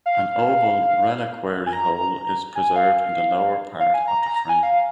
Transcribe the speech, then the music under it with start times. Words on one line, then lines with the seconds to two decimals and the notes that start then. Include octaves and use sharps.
An oval reliquary hole is preserved in the lower part of the frame.
0.06 F5
1.66 G#5
1.73 A#5
2.55 G#5
2.76 F5
3.80 F5
3.94 G#5
4.08 A#5
4.22 A#5
4.36 A#5
4.49 G#5
4.63 F5